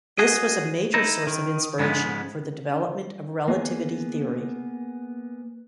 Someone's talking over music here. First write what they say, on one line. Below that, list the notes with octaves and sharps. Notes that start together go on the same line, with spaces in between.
This was a major source of inspiration for the development of relativity theory.
F#4 G#4 D#5
D#4 E4
D#3
G#2 C#3 F3 G3 G#3 B3
A#3 B3 G#4